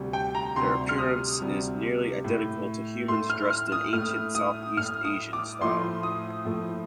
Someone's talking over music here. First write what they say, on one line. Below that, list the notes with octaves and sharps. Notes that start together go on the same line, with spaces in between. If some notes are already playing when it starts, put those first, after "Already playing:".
Their appearance is nearly identical to humans dressed in ancient Southeast Asian style.
Already playing: D2 C3 G3
G5
A#5
D2 C3 G3 C6
F6
D#6
D2 C3 G3
A2 A3
A2 A3 C6
F6
F6
D#6
A2 A3 F6
D#6
A2 A3 F6
D#6
D6
A2 F3 A3 C6
D#6
A2 F3 A3